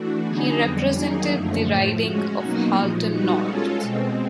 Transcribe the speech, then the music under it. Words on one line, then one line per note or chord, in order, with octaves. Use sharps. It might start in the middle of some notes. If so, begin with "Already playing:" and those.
He represented the riding of Halton North.
Already playing: E3 A3 D4 F#4
D3 F#3 B3 D#4 G#4
F2 D3 G3
D#3 F#3 A#3 D#4 G#4
F#2 D3 F3 A3
A2 F3 A3
G#3 C#4 F#4
B2 F#3 A#3 D#4 F#4
A#2 F3 G#3
G3 B3 D#4 F#4
G#3 C#4 F4 A4
B2 G#3 C4